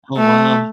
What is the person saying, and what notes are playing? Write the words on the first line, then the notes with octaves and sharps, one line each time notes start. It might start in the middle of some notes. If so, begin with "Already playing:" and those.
Oh, wow.
A3